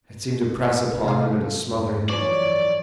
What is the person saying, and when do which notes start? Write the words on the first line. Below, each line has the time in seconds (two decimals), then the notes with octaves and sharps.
It seemed to press upon him and to smother him.
1.04 C3 A3 F5
1.64 F2 G#2
2.09 F#2 E3 F3 C#5 D5